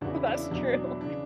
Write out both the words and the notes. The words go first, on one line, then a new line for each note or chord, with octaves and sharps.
That's true.
E2 C#3 E3 D4 F#4
E4
D4
E4
E2 B2 F#3 D4
D4
E4
C#3 E3 D4